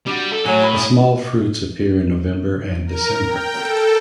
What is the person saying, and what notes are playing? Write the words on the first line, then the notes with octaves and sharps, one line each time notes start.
The small fruits appear in November and December.
G3 D4 F4 F#4
A4
A2 F#3 G#5
E4 A#4 B5
G#4 D5
A#4
G5
A4